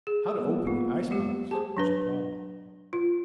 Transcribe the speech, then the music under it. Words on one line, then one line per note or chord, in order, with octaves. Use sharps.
How to open the ice-box was a problem.
G#4
D#6 E6
G3 A#3 B3
A#3 B3 F4
F#3 G#3 G4
G4 G#4 C5 A5
F#3 D4 B4
F4